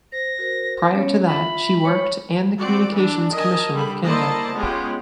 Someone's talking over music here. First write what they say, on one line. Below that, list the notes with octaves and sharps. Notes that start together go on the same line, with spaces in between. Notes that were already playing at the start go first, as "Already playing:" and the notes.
Prior to that she worked and the Communications Commission of Kenya.
C5 A#6
F#4 A#4 C5
B3 C#4 C#5
F4 E5 B5
G#3 C#5 C#6
C4 F#4 D5
E3 D4
A#4 D#5 G#5 A5
D3 G3 B5
A#3 E4 C5 D5 D#5 A5
G#3 B3 C#4 F4 G4